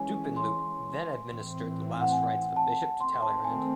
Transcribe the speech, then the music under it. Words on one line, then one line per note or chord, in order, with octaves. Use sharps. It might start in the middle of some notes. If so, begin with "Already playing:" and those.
Dupanloup then administered the last rites of a bishop to Talleyrand.
Already playing: E3 G#3 C#4 G#5
C6
A2 E3 C4
F#5
G#5
A5
D#3 A3 C4 C6
A5
G#5